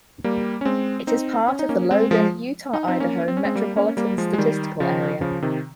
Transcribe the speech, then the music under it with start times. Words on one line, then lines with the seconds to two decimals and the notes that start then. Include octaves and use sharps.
It is part of the Logan, Utah-Idaho Metropolitan Statistical Area.
0.24 G3 A#3
0.61 C#4
0.65 G#3 C4
1.07 C4 D#4
1.48 C#4
1.59 D#4
1.69 A#3 C#4
1.91 G#3 C4
2.11 F3 G#3
2.73 D#4
2.87 C4 D#4
3.00 A#3 C#4
3.28 C4
3.37 C#4
3.45 G#3 C4
3.56 G3 A#3
3.76 A#3 C#4
3.97 G3 A#3
4.18 F3 G#3
4.33 G#3
4.38 D#3 G3
4.80 C#3 F3
5.21 C#3 F3
5.42 C3 D#3